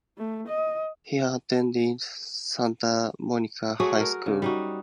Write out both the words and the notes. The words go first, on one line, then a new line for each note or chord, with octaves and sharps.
He attended Santa Monica High School.
A3
D#5
A3 F#4 G#4 C#5
A#4
C#3
G3 D#4 F#4